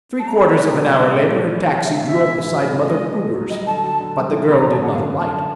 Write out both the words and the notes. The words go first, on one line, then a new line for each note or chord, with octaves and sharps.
Three-quarters of an hour later her taxi drew up beside Mother Kruger's, but the girl did not alight.
B3 A5
A#5
G3 B5
A#5
G#3
B2
G3 G5
D#5
A#2
D5
A3 D5
E3
E3
C3
G#3 E5
F5
B2
E5
E3
G#2
F#3
D3
G#3 D#5
F3
A3
F#3
G3 D#5
D3 A5
F#3 A5
D3
G3
E3
B2 B5
A#5
E2 A5
D3 F#5
F5
F#2
D3 A5